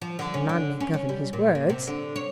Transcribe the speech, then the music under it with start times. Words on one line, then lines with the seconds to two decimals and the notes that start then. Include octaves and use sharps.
"A man may govern his words."
0.02 F3
0.19 D3
0.34 C#4
0.49 D3
0.80 C#4
0.94 C#4
1.09 G3
1.33 A#2
1.55 A#3
1.69 C3
1.87 D3
2.16 C#5